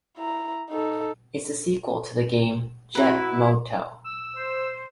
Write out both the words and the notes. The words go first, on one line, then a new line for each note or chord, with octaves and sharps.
It is the sequel to the game "Jet Moto".
E4 A#5
D#4 A4
E4 F#4 B4 A#5
E6
C5